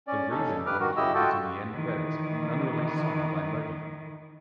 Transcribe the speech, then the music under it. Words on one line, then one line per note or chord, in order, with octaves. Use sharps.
"The Reason" includes, in the end credits, an unreleased song by Moby.
C#4 D5
D#2 C#4 D#4 A4
G2 G3 B4 D6 F6
D#3 F#4 A#4
C#3 E4 G4 D#5 E6
F4 F#4 A4 G5 A5
D#3 E3